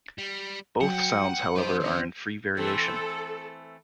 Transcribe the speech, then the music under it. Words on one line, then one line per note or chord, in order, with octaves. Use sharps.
Both sounds, however, are in free variation.
G3
F#3 F#5 G5
F3 D#4 B4 C5 D#5
D#3 C#4
E3 A3 C4 A4